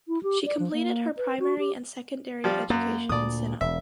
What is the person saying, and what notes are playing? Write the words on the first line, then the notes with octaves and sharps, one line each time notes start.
She completed her primary and secondary education in Sinop.
E4
G4
D5
F3
A#3
B4
F#4
G4
F3 G3
F#2 A#3
D2 A#2 D5 D#6
E1 E5